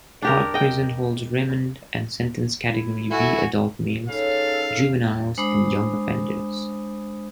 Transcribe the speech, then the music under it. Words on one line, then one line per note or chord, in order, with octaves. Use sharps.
Parc Prison holds Remand and Sentenced Category B Adult males, juveniles and young offenders.
D4 G4 A#4
D#5 G5
E4
E4 F#4 A4 G#5
C#3 D#4 A4 F5
G#3 D4 C5 B5 D#6